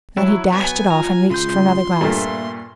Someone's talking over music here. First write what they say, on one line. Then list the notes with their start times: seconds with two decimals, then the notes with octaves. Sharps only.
Then he dashed it off, and reached for another glass.
0.17 F#3 E4 A5
0.53 B3 G#5
0.90 F4 A#5
1.30 C#3 G#3 C6 G6
2.01 G2 A#2 A3 A#3 E5